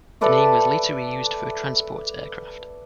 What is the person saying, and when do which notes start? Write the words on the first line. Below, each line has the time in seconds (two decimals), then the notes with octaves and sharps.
The name was later re-used for a transport aircraft.
0.21 A4 B4 D5 E5